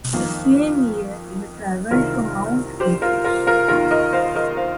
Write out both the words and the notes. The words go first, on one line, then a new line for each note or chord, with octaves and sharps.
In the same year he traveled to Mount Athos.
F2 D#3 A#3
C2 C3 D#3 F4 A#4
G4 C5
F4 A#4
F4 A#4
F4 A#4
D#2 D#3 F4 A#4
A#4 D#5
C5 F5
A#4 D#5
C5 F5